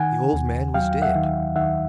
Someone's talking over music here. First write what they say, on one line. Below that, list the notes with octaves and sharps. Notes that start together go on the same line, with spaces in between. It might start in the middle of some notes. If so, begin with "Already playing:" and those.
The old man was dead.
Already playing: D#3 F#5 G#5
D#2
F#3 F5 G5
E5 F#5
D#3
D#3 E5 F#5